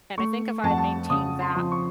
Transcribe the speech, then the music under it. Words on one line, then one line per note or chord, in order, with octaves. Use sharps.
And I think if I maintain that,
A3 C#6
F2 A5
F#5
A5
C#3 D#6
C6
F3
C#6